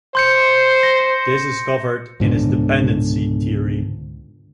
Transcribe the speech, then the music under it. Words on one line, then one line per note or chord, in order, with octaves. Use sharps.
This is covered in his dependency theory.
C5 C6 G6 C#7
A#6
C#2 G#2 B2 D3